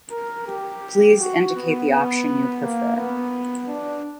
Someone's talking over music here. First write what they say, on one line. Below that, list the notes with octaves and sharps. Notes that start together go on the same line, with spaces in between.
Please indicate the option you prefer.
A#4
G4
F#4
B3
B3
A#3
B3
D4